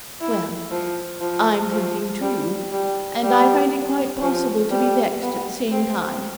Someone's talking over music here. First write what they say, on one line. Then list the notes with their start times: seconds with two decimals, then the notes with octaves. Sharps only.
'Well, I'm thinking too, and I find it quite possible to be vexed at the same time.
0.21 E4
0.71 F3
1.21 F3
1.71 F3
2.21 G3
2.72 G3
3.22 G3
4.22 F3
4.71 G3
5.22 B3
5.72 C4